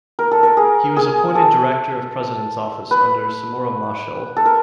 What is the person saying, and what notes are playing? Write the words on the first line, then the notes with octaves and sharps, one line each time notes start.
He was appointed director of President's office under Samora Machel.
A#4
A4
A#4
G#4
G#4
A4
B4
A4
A#4